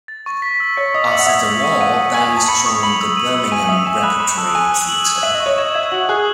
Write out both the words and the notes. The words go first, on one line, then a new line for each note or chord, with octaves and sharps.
After the war, Banks joined the Birmingham Repertory Theatre.
A6
C#6
B6
E6
C#5 C#7
D#5 D#6
E5 F#7
F#5
E5 G#6
B6
C#6
F#5 D#7
D#6
G#5 F#7
G#5
A5 G#6
B5 C#7
C#6 D#6
B5 F#7
E6
D#7
E6
G#5 D#7
E5 D#6
G#5 E7
B5 F#6
B5 E7
A5 E6
G#5 D#7
F#6
F#7
G#6
E5 D#7
D#5
C#6
C#5
D#5 E7
E5 G#6
F#4 F#7
G#4 F#6